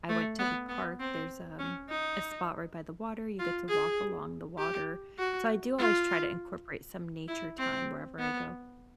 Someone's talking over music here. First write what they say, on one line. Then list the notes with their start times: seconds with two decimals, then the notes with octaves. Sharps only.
I went to the park, there's, um, a spot right by the water, you get to walk along the water. So, I do always try to incorporate some nature time wherever I go.
0.09 A3
0.39 B3
0.69 B3
1.00 C4
1.59 C#4
1.90 D#4
3.39 F4
3.69 G#4
4.58 G4
5.18 F#4
5.79 F4
7.28 E4
7.59 C4
8.19 B3